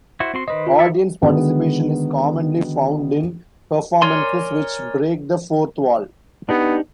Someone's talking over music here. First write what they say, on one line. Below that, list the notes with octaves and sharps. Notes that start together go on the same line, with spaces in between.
Audience participation is commonly found in performances which break the fourth wall.
E4 F#4 C5
C4 F#4 C6
D#3 B4 C5 D#5
F4
E4 A4 E5
D3 D#3 G#3 B3 F#4
A#4 C#5 D5 G#5 C6
B3 D4 D#4 G4